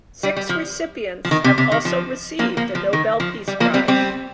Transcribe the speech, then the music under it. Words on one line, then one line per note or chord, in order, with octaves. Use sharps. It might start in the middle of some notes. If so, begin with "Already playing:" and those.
Six recipients have also received a Nobel Peace Prize.
G3
G3
F3
F3
D#3
C3
C3
D#3
F3
F3 A#3
F3 A#3
F3
D#3
F3
G3
F3 A#3
G3 C4
G3 C4